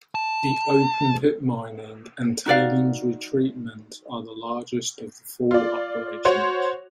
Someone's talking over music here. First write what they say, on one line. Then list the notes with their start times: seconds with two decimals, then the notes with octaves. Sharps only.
The open pit mining and tailings re-treatment are the largest of the four operations.
0.15 A5
2.46 D#4 F#4 D5 F5
5.51 F4 D5
6.25 F#4 C5 C#5